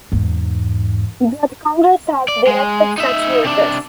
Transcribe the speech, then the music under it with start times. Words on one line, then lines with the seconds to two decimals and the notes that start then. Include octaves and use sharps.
Yet Congress has directed such uses.
0.12 E2 G#2
2.28 D5
2.47 G#3
2.98 D#4 E5
3.44 C3 D4